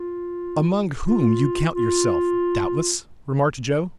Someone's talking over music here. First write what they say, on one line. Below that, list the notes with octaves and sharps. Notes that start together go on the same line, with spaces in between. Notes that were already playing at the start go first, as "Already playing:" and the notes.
"Among whom you count yourself, doubtless," remarked Joe.
Already playing: F4
F4
F4